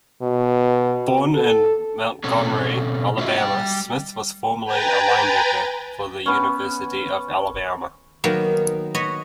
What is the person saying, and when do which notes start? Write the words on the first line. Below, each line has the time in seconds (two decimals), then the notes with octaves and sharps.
Born in Montgomery, Alabama, Smith was formerly a linebacker for the University of Alabama.
0.22 B2
1.34 A4
2.24 B2 C4 C#4 A4 C#5
3.18 A3 C#4 F4 F#4 D#5 E5
3.38 G3 A#3 G5
4.64 B4 G5 G#5 A#5 G6 A6
6.26 B3 C#4
8.24 D#3 F#3 A#3 B3
8.94 F#4 B4 C#5 D#5